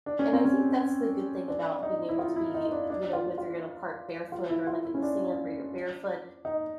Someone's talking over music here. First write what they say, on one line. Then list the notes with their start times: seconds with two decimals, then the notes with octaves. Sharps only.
And I think that's the good thing about being able to be, you know, whether you're going to the park barefoot or, like, in the sand where you're barefoot.
0.06 D4
0.19 C#4
0.33 C4
0.45 C#4
1.48 D4
1.83 D#4
2.09 E4
2.19 F4
2.36 E4
2.55 D#4
2.72 D4
2.90 D4
3.13 F4
3.38 F4
4.32 F4
4.49 E4
4.67 F4
4.85 E4
4.94 C#4
5.02 D4
6.45 D#4